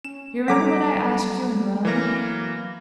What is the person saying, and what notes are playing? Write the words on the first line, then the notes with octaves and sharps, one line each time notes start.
Do you remember what I asked you in Rome?
C#4 E7
F#3 G3 A4 F#5 A#5 D6 B6
E3 F#3 A#3 F6 A#6